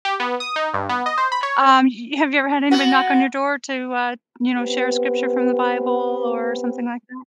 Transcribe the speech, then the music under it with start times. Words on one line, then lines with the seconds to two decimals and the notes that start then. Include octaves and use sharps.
Um, y y have you ever had anybody knock on your door to, uh, you know, share a scripture from the Bible or something like that?
0.05 G4
0.20 B3
0.40 D#6
0.56 D#4
0.74 G2
0.89 B3
1.06 D#5
1.18 C5
1.32 B5
1.43 C#5
2.71 B3 F#4
4.58 B3 C4 G4 B4